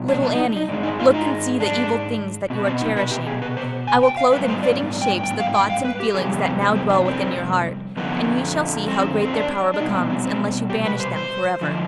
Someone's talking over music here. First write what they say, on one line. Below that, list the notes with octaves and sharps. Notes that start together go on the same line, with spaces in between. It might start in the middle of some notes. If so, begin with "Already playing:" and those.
"Little Annie, look and see the evil things that you are cherishing; I will clothe in fitting shapes the thoughts and feelings that now dwell within your heart, and you shall see how great their power becomes, unless you banish them for ever."
Already playing: B2 G3 B3
D4
D4
D#4
D#4
G#2 D#3 G#3 D4
D#4
F4
D#4
D4
B2 C4
B3
C4
D#4
B4
G4
G#4
B4
C5
G#5
G5
F5
G#2 G3 B3 B4
C5
D5
G5
G5
F5
G5
F5
B4
G4
F2 C3 G3 B3 G#4
C4
C4
C4
D4
C4
F2 D3 F3 B3
C4
C4
D4
D4
B2 G3 B3 D#4
C4
C4
C4
G4
B4
C5
C5
D3 F3